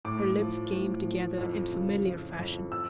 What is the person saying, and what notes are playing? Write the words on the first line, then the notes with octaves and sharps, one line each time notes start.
Her lips came together in familiar fashion.
A2 D6
F3
A2
F3
F2
C#3
F3
F2
E6